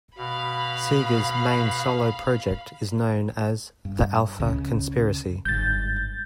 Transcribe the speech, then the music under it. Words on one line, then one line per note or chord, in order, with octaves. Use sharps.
Sega's main solo project is known as The Alpha Conspiracy.
B2 F5 B5
G2
C#2 C#3
G1 G#2 G6 A6